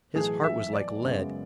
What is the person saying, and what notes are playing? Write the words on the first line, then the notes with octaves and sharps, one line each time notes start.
His heart was like lead.
B1 A2 E3 A3 G#4
E5
D5
F#2 C#3 G#3 B3